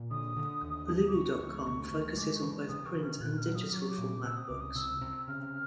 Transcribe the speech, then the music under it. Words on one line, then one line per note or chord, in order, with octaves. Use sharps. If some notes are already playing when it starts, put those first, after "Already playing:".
Lulu dot com focuses on both print and digital format books.
Already playing: A#2
D3 D#6
D3
D#2
F3
D6
C3 C#6
D2
D2
D2
G#3 D6
C#6
E3
C3 D#6
C#6
E3
F6
A#2 F#6
F6
F#3
D#6
F#3 D6
C#6
D6
A#2
C3 E6
D#6
C#2 D6
D#6
C3 E6
C3
C#3 F6